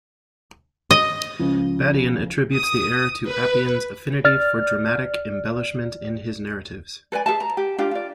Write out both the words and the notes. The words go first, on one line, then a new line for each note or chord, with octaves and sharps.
Badian attributes the error to Appian's affinity for dramatic embellishment in his narratives.
D#5
C#2 C#3 F3
D#6
B4
D5 F6 A6
A4 B4 D5 G#5
G#4 A4 E5 A5
A#5
G4
D4 F4 G4
F4 D5